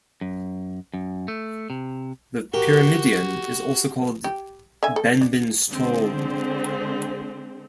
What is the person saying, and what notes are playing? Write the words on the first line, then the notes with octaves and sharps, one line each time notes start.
The pyramidion is also called 'Benben stone'.
F#2
F#2
A3
C3
F#4 G4 A#4
G4
D3 E5 G#5
A4
D4
D3 G#3 C4